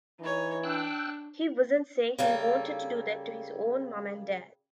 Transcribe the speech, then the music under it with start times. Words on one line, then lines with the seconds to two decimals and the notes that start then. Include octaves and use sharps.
He wasn't saying he wanted to do that to his own mom and dad.
0.20 E3 D#4 C#5
0.64 D4 G5 E6 F#6
2.19 C#3 G3 A#3 A4